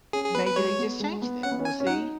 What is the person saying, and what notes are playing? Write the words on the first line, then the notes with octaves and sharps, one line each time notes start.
maybe they just changed it, we'll see.
C#4 G#4
G#4
B3 B4
B4
G#3 C#5
B3
G#3
B3
C#4 F#5
B3
C#4
G#5
C#4
D#4 F#5